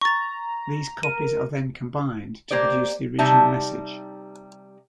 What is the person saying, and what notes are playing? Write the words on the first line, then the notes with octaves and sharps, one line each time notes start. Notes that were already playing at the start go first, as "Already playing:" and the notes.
These copies are then combined to produce the original message.
A#5 C#6 A6
A#4 D#7
A#3 G4 C5 D5
C3 G3 D#4 E5 A5